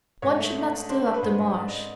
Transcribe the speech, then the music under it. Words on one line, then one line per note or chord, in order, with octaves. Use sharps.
One should not stir up the marsh.
G#2 C#5
A3
D4
D4
D4 C5
D4
B4
G#2 C5
G#2
G#2 D5
D#5